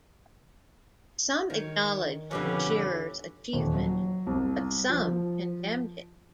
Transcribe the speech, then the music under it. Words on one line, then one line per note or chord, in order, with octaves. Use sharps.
Some acknowledged Shirer's achievement but some condemned it.
D#3 C#5
F2 B2 D3 C#4 G4 B4
D#1
F#3
C2
F3